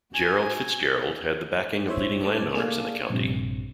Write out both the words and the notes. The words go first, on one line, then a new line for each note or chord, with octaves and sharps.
Gerald Fitzgerald had the backing of leading landowners in the county.
F#4 G#5
E4 C5 C#5 E5
A3 A5 D6
A#3 G#4 A4 D5 F5
A#1 G2 C3